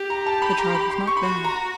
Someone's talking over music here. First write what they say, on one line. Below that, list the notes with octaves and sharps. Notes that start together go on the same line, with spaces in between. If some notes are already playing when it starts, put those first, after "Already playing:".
The child was not there.
Already playing: G4
A#5
A5
B5
A#5
C6
B5
C6
C#6
B5
F#4 C6
A#5